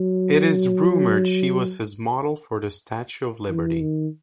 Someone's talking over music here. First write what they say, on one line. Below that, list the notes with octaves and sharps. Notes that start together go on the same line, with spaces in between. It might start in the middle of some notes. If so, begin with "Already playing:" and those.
It is rumored she was his model for the Statue of Liberty.
Already playing: F#3
E3
D#3